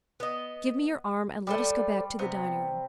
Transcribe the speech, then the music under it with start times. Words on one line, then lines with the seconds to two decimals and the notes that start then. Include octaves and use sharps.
Give me your arm and let us go back to the dining-room.
0.20 B3 D#5
1.47 G3 A3 C5 D5
2.19 C3 B3